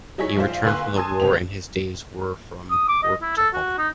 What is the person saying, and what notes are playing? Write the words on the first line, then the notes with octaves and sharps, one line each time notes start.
He returned from the war and his days were from work to home.
F#3 D#4 E4 G#4 C#5 B6
A#1 F4 C5 F5
D2 A#3 B4 C6 E6 F#6
G#5 A5 C6 D#6 E6 G#6
G1 C#2 C4 G4 F7
D#6
D6
D#5
E4
A4
F#4
D#4